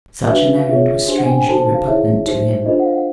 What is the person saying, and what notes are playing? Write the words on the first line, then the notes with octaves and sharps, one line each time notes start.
Such an errand was strangely repugnant to him.
F5
D4 F#4 B4 E5
E5
F5
F4 G#4 C#5 E5
D4 G4 C5
F#5
G#5
G5
G#5
D#4 F#4 A4 C5 A5
A5
F5
E4 G#4 C#5 E5
D#4 G4 C5
D4 F4 A4 C5 D#5
F#5
F5
F#5